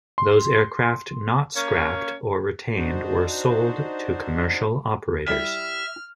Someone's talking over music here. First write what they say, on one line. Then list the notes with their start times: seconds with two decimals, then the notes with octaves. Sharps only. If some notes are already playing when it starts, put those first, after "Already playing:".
Those aircraft not scrapped or retained were sold to commercial operators.
0.18 C6
1.55 A#3 C#4 C#5
2.73 D4 D#4 F#4 C5
5.28 G3 E4 E5 F6